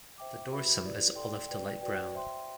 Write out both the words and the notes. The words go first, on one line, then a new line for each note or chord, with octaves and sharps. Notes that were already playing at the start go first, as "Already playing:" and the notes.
The dorsum is olive to light brown.
C5 E5 G5 D6
F#4 B4 E5 B5
E4 G4 B4 D5
A4 D5 G5 C6
B4 D5 G5
F#4 B4 D5 G5
C5 E5 G5 C6